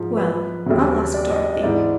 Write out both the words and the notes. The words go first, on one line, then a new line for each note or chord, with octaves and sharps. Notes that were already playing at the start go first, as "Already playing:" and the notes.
"Well, I'll ask Dorothy."
Already playing: G#2 F3
B4
D#2 C#3 F#3
D5
D#5
D#5
G#2 E3 D5